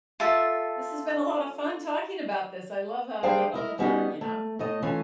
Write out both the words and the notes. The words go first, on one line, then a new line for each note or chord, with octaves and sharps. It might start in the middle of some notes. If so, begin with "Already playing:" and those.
this has been a lot of fun talking about this, I love, uh, getting all the dirt, you know?
F4 A4 E5 A5
G3 D4 G#4 C5 F5 G5
E4 A#4 D#5
G3 B3 C#4 D#4 F#4
A3
A2 A3 D#5
E3 A3 C#4 F4